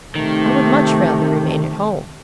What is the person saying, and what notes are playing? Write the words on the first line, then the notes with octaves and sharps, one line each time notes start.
I would much rather remain at home.'
C3 D#3 A3